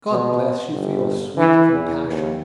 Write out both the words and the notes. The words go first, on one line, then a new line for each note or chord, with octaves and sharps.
"God bless you for your sweet compassion!"
B2
G1
E3
E2
D#2